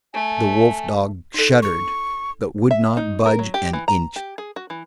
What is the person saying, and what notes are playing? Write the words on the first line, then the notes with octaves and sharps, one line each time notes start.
The wolf-dog shuddered but would not budge an inch.
A3 G#5
D#4 A4
C#6
E5
D#4
A#4
F#3
G4
E3
A#5
G4
G#4
F#4
E3